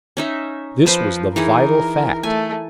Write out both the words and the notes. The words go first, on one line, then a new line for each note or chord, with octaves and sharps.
This was the vital fact.
C#4 D#4 E5
F3 B4 C5
E3 D#4 G#4 A#4
A3 G#5